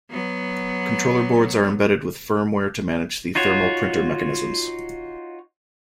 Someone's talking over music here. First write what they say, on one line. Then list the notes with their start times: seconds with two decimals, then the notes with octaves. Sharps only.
Controller boards are embedded with firmware to manage the thermal printer mechanisms.
0.10 F#3 B3
3.35 D#4 F4 F#4 C#5